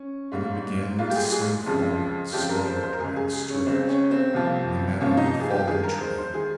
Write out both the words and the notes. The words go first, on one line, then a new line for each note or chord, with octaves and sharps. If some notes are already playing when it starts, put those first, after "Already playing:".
Then it began to swing forward, slow and straight, in the manner of a falling tree.
Already playing: C#4
G#2 G3 A#3
G#2 G3 A#3 F4
G4
G#4
G#4
F2 C#3 F3 G#3
F2 C#3 F3 G#3 G4
A#4
C5
C5
A#4
C#2 C#3 G#3 G#4
G#4
G#4
C#4
C#2 C#3 G#3 C4
C#4
C4
C2 C3 F3 A#3
C2 C3 F3 A#3 C#4
D#4
G#4
G4
G2 D#3 G#3 G#4
A#4
C5
C5
D#3 G#3 G#4